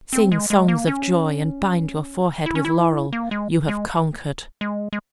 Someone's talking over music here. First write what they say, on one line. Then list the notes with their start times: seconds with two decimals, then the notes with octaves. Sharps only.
Sing songs of joy, and bind your forehead with laurel,--you have conquered!
0.13 C4
0.32 G#3
0.50 G#3
0.68 A#3
0.87 C#4
2.46 E4
2.55 C#4
2.65 E4
3.13 A#3
3.31 G#3
3.68 G#3
4.61 G#3
4.93 G#3